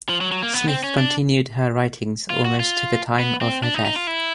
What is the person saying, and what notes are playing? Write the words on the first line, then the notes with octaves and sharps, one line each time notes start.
Smith continued her writings almost to the time of her death.
F3
F#3
F#3
A#3
B3
C4
C#4
D4
F4
F#4
F4
B3
C4
D4
D#4
D#4
F4
E4